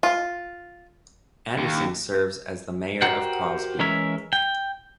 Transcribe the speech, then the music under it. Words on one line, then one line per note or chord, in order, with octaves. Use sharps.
Anderson serves as the mayor of Crosby.
F4
D#2
F#4 G4 A#4 C5 F#5 G5
E3 G#3 C#4 A#4 C#5 E5
G5